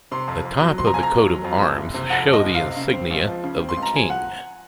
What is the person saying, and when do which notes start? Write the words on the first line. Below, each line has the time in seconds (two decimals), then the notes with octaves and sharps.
The top of the coat of arms show the insignia of the King.
0.12 C3 C6
0.28 F2
0.45 F2
0.62 F#3
0.78 C3 C6
0.87 A#5
0.94 F2 G#5
1.03 A#5
1.12 F2
1.27 F#3
1.44 F2
1.60 F#1
1.78 F#1
1.94 C3
2.10 F2 F#5
2.27 F#1
2.33 D#5
2.44 F#1
2.54 F5
2.61 C3
2.76 C#3
2.93 C4
3.11 C#2
3.27 F3
3.44 C#3
3.60 C4
3.69 C6
3.77 C#2
3.83 A#5
3.93 F3 G#5
4.10 F#5